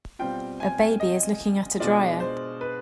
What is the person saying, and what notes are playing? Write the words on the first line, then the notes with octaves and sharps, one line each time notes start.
A baby is looking at a dryer.
B2 G3 C4 F4 G5
G#5
D#5
B2 G#3 D4 F4 D5
C5
B4